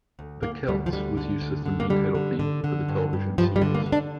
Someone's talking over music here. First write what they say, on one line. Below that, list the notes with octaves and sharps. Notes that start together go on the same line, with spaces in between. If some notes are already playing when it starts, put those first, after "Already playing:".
"The Celts" was used as the main title theme for the television series.
D2
D2 A#3
D2 G3
F3
D3 G3
D3
D2
D3
A#3
D3 G3
D3
D3
D3
G2
G2
G2 F3
G3
D3
A#3
D3
D4